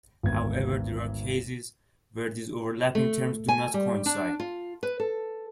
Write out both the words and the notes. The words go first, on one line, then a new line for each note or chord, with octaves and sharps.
However, there are cases where these overlapping terms do not coincide.
G#1 D2 B3 G#6
A3
G#5
G3
D4
F4
B4
A4